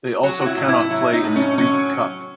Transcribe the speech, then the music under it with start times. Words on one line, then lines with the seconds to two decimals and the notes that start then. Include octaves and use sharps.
They also cannot play in the Greek Cup.
0.23 F#3 F#4
0.41 F#4
0.46 E4
0.57 A2
0.68 E4
0.90 F#3 E4
1.13 D#4
1.24 A2
1.36 C#4
1.58 F#3 C#4